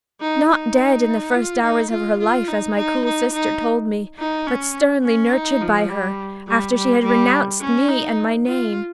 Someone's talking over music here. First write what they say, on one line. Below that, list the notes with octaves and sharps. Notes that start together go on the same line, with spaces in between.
Not dead in the first hours of her life, as my cruel sister told me, but sternly nurtured by her, after she had renounced me and my name!
D#4
D#4
F4
D#4
F4
F4
D#4
D#4
D#4
D#4
D#4
C#4
C#4
D#4
F3
G3
G3
G3
G3
C#4
D#4
F4